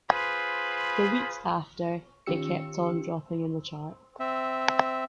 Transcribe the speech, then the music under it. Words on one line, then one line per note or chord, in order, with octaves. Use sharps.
The weeks after, it kept on dropping in the chart.
F4 G#4 B4 C5 B5
D#3 C#4 F4 G4 E6 C#7
C4 E5